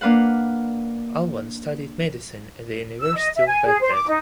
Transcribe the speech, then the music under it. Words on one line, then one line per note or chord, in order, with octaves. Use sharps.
Alwan studied medicine at the University of Baghdad.
A#3 D4 B4 F5 F#5
E6
D#5
E5
G#5
G#4
C5
D6
D#4